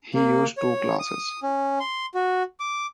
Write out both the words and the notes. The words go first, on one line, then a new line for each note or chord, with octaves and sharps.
He used two classes.
A#3
C#5
D#6
C#4
C6
F#4
D6